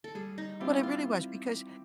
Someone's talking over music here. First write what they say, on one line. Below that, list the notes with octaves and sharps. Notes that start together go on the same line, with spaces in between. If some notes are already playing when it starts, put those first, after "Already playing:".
What it really was because,
A4
G3 G#4
D#4
C4 E4 F4 G4
F4